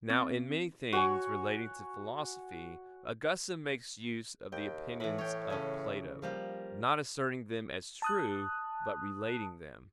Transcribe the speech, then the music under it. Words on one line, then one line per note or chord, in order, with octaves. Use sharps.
Now in many things relating to Philosophy Augustine makes use of the opinions of Plato, not asserting them as true, but relating them.
C4
F#4 C#5 G#5 C#6
D#2 G5
A2 E3 B5
C#5 G5
C#3 A4 G#5
F3 G3 A#3
A5 D#6 F#6